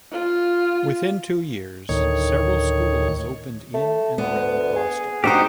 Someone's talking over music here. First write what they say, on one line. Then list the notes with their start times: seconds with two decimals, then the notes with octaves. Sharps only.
Within two years, several schools opened in and around Gloucester.
0.12 F4
1.89 D2 A2 D#3 C#5
3.74 A3
4.18 D2 B3
4.76 G#4
5.24 G#2 B3 D4 D#4 F#4 G4 C5